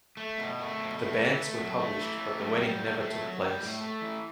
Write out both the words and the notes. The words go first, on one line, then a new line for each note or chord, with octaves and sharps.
The banns were published but the wedding never took place.
A3
B2
A3
B2
A3
E3
A3
F#3
A3
E3
A3
F#3
G3
A2
A3
F#3
G3
A2
A3
E3